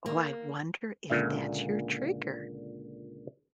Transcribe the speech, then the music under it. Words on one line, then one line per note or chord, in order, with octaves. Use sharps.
Oh, I wonder if that's your trigger.
A#3
C#2 A#2 D3 E5